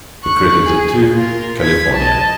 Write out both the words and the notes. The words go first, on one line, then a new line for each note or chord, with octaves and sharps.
Accredited to: California.
C#6 F#6
G#4
F4 A#4
G#6 B6
D#5 A5